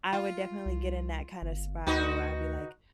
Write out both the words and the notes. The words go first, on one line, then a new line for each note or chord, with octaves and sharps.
I would definitely get in that kind of spiral where I'd be, like,
F4
C2
G1
D2 D#4 F#4 B4